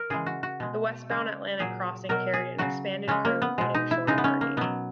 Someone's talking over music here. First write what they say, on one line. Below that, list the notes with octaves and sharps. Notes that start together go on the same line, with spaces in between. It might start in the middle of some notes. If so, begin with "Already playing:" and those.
The westbound Atlantic crossing carried an expanded crew including a shore party.
Already playing: A#4
C#3 E3 G#3 G#4
F#4
F#4
B2 G#3
C#3 G#3
A#2 F#3 G#4
B2 F#3 A#4
G#4
C#3 F#3 F#4
C#3 G#3 C#4
A#3
B3
B2 G#3
D#4
E4
C#3 G#3 D#4
B3
C#4
A#3
B2 F#3 B3